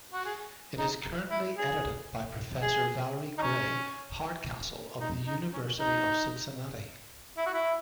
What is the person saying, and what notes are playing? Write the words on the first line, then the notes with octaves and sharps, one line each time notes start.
It is currently edited by Professor Valerie Gray Hardcastle of the University of Cincinnati.
F#4
G#4
D#4
E4
G#4
G#4
D#4
C#4
D#4
D#4
C#4
D#4
E4
F#4
E4